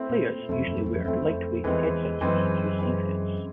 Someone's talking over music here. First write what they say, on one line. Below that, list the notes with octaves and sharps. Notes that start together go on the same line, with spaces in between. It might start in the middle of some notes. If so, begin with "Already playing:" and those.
Players usually wear lightweight head sensors to receive hits.
Already playing: A3 C4 E4
A#2
F2 A3 C4 E4
F#2
F2
F#2
F2
F#2
F2 A3 C4 E4
F#2
F2
E2 E3 G#3 C4
F#2 E3 G#3 C4
E3 G#3 C4